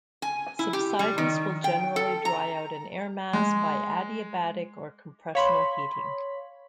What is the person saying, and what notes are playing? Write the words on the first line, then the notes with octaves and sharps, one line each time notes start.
Subsidence will generally dry out an air mass by adiabatic, or compressional, heating.
G#5
E4
G4
G3
D#3
G5
A4
A#5
G#3
C#5 F5 B5 C6